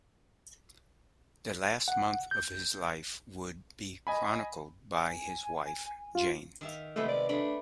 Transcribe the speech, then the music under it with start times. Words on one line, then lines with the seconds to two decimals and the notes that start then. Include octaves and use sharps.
The last month of his life would be chronicled by his wife, Jane.
1.88 F#5
2.31 G6
4.07 D#5 G#5 B5
4.95 G#5
6.15 F4
6.61 D#3 E5 F5
6.96 C3 G#3 A3 B3
7.09 D5
7.29 A3 D4 B5